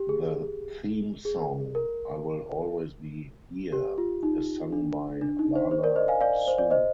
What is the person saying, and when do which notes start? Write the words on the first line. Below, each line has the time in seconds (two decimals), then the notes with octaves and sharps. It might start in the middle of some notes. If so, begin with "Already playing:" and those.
The theme song "I Will Always Be Here" is sung by Lala Hsu.
Already playing: G4
0.09 G#4
1.25 G#4
1.75 A#4
3.72 G4
3.98 F4
4.23 D#4
4.72 D4
5.21 D4
5.39 D#4
5.56 C5
5.71 C5
5.83 A#4 D5
5.96 C5 D#5
6.08 F5 G#5
6.21 D5 F5
6.48 C5
6.58 D5
6.70 C5 D#5